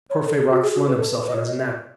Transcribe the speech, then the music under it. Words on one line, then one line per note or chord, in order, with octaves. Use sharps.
Courfeyrac flung himself on his neck.
C#5
A4
G#4
F#4
G#4
F#4
B4
A4
B4
B4
D#5
C#5
D#5
E5